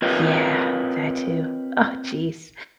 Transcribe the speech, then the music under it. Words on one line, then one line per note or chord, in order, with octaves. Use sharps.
Yeah, that too. Oh, jeez.
C4 F4 A#4 B4 C#5 D#5